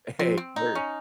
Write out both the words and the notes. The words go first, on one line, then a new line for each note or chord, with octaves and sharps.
Hey, mer
F3 C4
C4
D#4
C#4